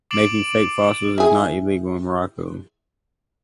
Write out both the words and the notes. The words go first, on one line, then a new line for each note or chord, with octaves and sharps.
Making fake fossils is not illegal in Morocco.
D6 A6 C7 D7 E7 F#7
E4 G#4